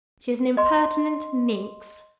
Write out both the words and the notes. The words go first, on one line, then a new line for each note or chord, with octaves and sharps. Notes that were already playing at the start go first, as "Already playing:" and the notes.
"She is an impertinent--minx!"
D#5 C6